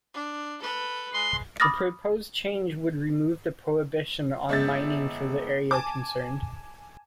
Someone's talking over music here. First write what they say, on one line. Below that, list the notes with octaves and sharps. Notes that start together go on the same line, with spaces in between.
The proposed change would remove the prohibition on mining for the area concerned.
D4
A4 B4
G#3 C6
B5 D6 D#6 F6 A6 A#6
G1 G#3 E5 G6 A6
G#5 A5 D6